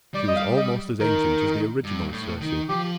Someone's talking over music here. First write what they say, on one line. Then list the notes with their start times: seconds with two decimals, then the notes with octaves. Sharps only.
She was almost as ancient as the original Circe.
0.14 G3 D5
0.28 D#5
0.36 F5
0.57 D#5
1.00 D#3 A#4
1.84 G2
2.13 A2
2.41 D#3
2.69 F3 G4